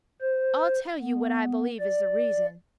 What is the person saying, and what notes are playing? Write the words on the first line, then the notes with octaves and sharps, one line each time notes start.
I'll tell you what I believe is the reason.
C5
B3
D5